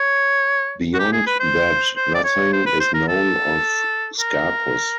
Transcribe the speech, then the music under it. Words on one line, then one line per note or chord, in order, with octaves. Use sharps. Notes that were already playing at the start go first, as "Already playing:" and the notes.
Beyond that, nothing is known of Scarpus.
Already playing: C#5
F#4
G4
G#4
B4
C5
C5
D5
C#5
C5
B4
C5
A#4
A4
A#4